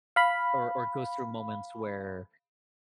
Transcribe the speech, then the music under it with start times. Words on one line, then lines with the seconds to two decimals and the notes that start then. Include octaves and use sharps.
or or goes through moments where,
0.16 F5 B5